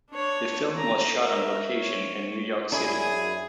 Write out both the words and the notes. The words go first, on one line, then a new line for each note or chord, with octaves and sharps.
The film was shot on location in New York City.
D4 C#5
A#5
A#4 E5
C#5
F#2 D4 E4 G#4